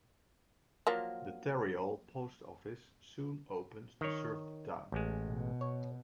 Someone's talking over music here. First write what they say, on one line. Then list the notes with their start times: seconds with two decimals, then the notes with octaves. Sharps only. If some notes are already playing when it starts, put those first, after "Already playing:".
The Tarryall Post Office soon opened to serve the town.
0.87 F3 F#3 A#3
4.01 D#3 C#5
4.92 A1 G#3
5.28 B2
5.61 C#5